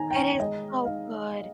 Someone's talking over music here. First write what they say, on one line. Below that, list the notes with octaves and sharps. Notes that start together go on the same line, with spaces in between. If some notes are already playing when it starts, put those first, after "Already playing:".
it is so good,
Already playing: D#3 D#4 G#5 A#5
G5
G#5
C#5
G#3 D#5
D#4 F5